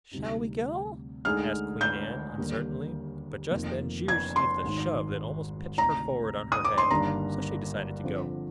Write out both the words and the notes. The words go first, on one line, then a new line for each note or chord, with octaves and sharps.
"Shall we go?" asked Queen Ann, uncertainly; but just then she received a shove that almost pitched her forward on her head; so she decided to go.
D2 C3 G3 C4 D#4
D2 D3 G#3 D#4 G#4 F6
G6
D#2 D3 G3 A#3
F1 F2 D#3 A#3
G#6
C6
G#1 G#2 D#3
D2 C3 D#3 A#5
D#6
D6
C6
G1 G2 D#3 A#3 D4 A#5
D3 F3 C4 F4 C5